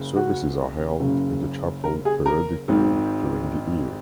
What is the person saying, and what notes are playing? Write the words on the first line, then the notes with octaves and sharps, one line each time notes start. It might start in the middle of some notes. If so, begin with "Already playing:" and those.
Services are held in the chapel periodically during the year.
Already playing: F#1 C#3
F#4
F#1 F#2 C#3
A#4
G#4
A#4
G#1 G#2 D#3